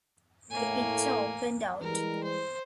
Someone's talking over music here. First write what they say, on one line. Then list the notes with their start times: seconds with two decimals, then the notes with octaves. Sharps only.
The picture opened out.
0.51 A2 A3 A#3 G#5
1.81 E3 G3 G#3 A#4
2.23 C5